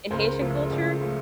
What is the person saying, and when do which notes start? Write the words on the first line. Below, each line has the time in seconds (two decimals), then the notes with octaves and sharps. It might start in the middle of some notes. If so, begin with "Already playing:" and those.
in Haitian culture,
0.11 C#2 A#4 C5
0.41 C#3 F3 A3
0.70 C#2 C5 D5
1.01 C#3 F3 A3